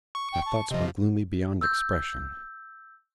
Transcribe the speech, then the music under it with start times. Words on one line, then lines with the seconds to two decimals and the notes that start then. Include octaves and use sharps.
My thots were gloomy beyond expression.
0.15 C#6
0.32 G5
0.45 A5
0.71 C3 F3 D#5
1.61 E6 G6